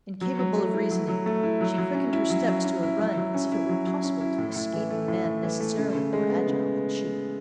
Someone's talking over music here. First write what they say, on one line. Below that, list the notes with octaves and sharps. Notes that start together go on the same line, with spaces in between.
Incapable of reasoning, she quickened her steps to a run, as if it were possible to escape a man necessarily more agile than she.
F#3
F#3
A3
E4
F#3
F#3
A3
E4
F#3
F#3
C#4
E4
F#3
F#3
C#4
E4
F#3
F#3
C#4
E4
F#3
F#3
C#4
E4
A2
A2
E3
A3
A2
A2
E3
A3
C#3
C#3
G#3
B3
C#3